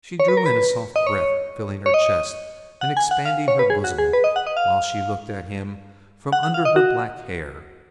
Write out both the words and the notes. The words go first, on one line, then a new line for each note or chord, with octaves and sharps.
She drew in a soft breath, filling her chest and expanding her bosom, while she looked at him from under her black hair.
C#5
B4
A#4
B4
D#5
C#5
C#5
D#5
F#5
G#5
F#5
F5
C#5
B4
G#4
F#4
G#4
B4
D#5
F#5
D#5
F5
F#5
F#5
F5
D#5
F#4